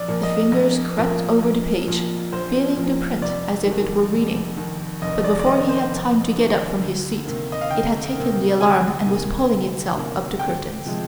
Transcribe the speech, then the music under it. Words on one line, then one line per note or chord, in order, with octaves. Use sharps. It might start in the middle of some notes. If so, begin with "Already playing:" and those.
The fingers crept over the page, feeling the print as if it were reading; but before he had time to get up from his seat, it had taken the alarm and was pulling itself up the curtains.
Already playing: A#1 D5
A#2 F3 A#3
D#5
A#1
A#2 F3 A#3
A#1
A#2 F3 A#3
A#1 C5
A#2 F3 A#3
F1 D5
D#2 D#3
F1
D#2 D#3
F1 D#5
D5
D5
D#2 D#3 D#5
C5
F1
D#2 D#3
D2
C3 D#3 A#3
D#5
F5
D2 G5
C3 D#3 A#3
D2 G#5
C3 D#3 A#3
D2
C3 D#3 A#3
G1 G5
C3 F3 G#3